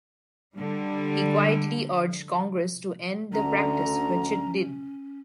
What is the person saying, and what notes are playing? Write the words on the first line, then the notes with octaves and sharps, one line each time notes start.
He quietly urged Congress to end the practice, which it did.
D3 G3
D2 D3 C#4 A#5